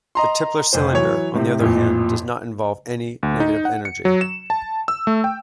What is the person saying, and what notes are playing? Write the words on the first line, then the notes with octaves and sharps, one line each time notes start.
The Tipler cylinder, on the other hand, does not involve any negative energy.
D#5 A#5 C6
F1 C5
E3 F#3 C#5
A2 C3
A1 F2 A#2
D2
D#4
F#5
C#7
F#3
E7
A5
E6
A3
G5